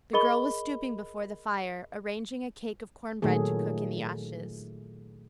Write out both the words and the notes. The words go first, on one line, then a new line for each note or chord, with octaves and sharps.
The girl was stooping before the fire, arranging a cake of corn-bread to cook in the ashes.
G#4 A#4 D#5 B5 G7
A#2 D#3 F#3 A3 G#4